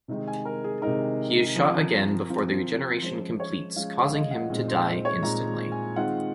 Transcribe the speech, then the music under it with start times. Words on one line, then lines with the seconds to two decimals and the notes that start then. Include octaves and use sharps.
He is shot again before the regeneration completes, causing him to die instantly.
0.08 C3 D#3 G#3 D#4
0.28 G#5
0.45 A#4
0.64 G#4
0.82 C3 D#3 G#3 D#4 A#4
1.55 F3 C4 F4
2.30 F3 C4 F4
3.02 F3 G#3 C#4 C5
3.40 C#5
3.76 F3 G#3 C#4 F5
4.06 F5
4.13 D#5
4.31 F#5
4.50 A#2 G#3 C4 D#4
4.68 C5
4.86 C5
5.05 C#5
5.23 A#2 G#3 C4 D#4 A#5
5.72 G#5
5.96 D#3 G#3 C4 F4 F#5